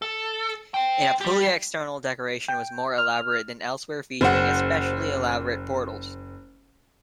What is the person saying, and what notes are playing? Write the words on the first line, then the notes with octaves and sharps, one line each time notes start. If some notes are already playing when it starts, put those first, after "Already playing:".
In Apulia external decoration was more elaborate than elsewhere featuring especially elaborate portals.
A4
C5 G5
G3 G4
G5
F6
F#1 C5 F#5